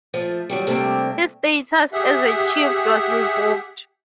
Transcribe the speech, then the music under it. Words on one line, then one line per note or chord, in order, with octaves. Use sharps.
His status as a chief was revoked.
F3 A3
D#3 F#3 G3
C3 G3 A3 A#3 C4 D4
G4 G#4 E5 F#5